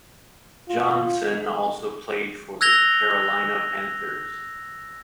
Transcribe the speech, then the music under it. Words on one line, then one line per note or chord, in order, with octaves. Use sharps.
Johnson also played for the Carolina Panthers.
F4
E6 F#6 G#6 A#6 F7 G7